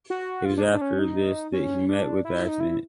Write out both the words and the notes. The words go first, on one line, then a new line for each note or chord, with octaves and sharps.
It was after this that he met with the accident.
F#4
F4
D4
D#4
D4
C#4
D#4
C#4
D4
E4
D#4
E4